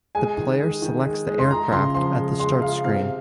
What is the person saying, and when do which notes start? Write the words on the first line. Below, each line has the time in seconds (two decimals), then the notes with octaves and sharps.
The player selects the aircraft at the start screen.
0.15 G#3 G#5
0.37 D#3
0.60 G#3
0.82 D#3
1.05 G#3
1.27 G#3
1.39 C6
1.50 G#3 A#5
1.72 C#3 C6
1.95 F3 C6
2.17 G#3
2.39 G#3 C6
2.62 G#3 F5
2.85 C3 F5